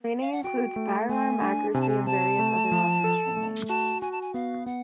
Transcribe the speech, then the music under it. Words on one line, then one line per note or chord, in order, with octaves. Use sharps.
Training includes firearm accuracy and various other weapons training.
F5
F#5
F#4 G5
A3
A3 G#5
D4
C3 G#5
A5
G#5
C3 A5
A3
F3
A4
A3
F#4 A5
F#4 G#5
A5
G#5
B3 F5
B3 F#5